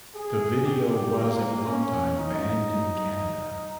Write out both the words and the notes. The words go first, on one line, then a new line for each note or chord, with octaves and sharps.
The video was at one time banned in Canada.
G#4
G4
A#3
C#4
D#4